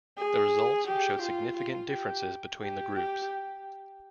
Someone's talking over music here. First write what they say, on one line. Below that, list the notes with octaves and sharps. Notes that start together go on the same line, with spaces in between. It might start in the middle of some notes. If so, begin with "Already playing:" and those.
The results showed significant differences between the groups.
G#4
G4
F4
F4
G4
G4
G4